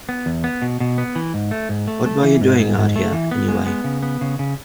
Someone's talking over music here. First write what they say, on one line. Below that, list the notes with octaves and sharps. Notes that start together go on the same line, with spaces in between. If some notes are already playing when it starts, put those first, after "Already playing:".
What were you doing out here, anyway?
B3
E2
B3
B2
B2
B3
E3
G#2
A3
G#2
A3
A3
E3
G#2
G#2
G#2
A3
E3
B3
G#3
B3
C#3
B3
C#3
C#3